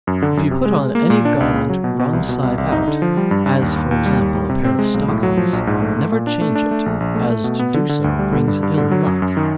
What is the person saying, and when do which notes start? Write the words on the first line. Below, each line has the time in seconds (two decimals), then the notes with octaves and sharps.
If you put on any garment wrong side out, as, for example, a pair of stockings, never change it, as to do so brings ill luck.
0.07 F#2
0.22 D3
0.37 F#2
0.51 C3
0.65 G#3
0.81 G#3
0.95 A#3
1.10 A#2
1.25 D4
1.40 C#2
1.54 C#3
1.70 F#3
1.84 B2
1.99 B2
2.13 C2
2.29 B2
2.43 C2
2.58 C2
2.72 D#4
2.88 D3
3.02 F3
3.17 G3
3.31 G2
3.46 G2
3.62 D#2
3.76 D#2
3.91 D#2
4.06 G3
4.21 D#2
4.35 G3
4.50 C3
4.65 C4
4.79 G#3
4.94 B1
5.08 A2
5.23 F#3
5.37 F3
5.53 A#1
5.67 G#2
5.82 A3
5.97 A3
6.12 A#2
6.27 D4
6.41 A3
6.55 D4
6.71 A3
6.86 A#1
7.00 A#1
7.15 A3
7.30 A3
7.44 B2
7.59 B3
7.74 D3
7.89 D3
8.04 D2
8.19 G3
8.32 D3
8.48 G2
8.63 G2
8.78 D3
8.91 F#3
9.06 F#2
9.22 F#2
9.37 D#3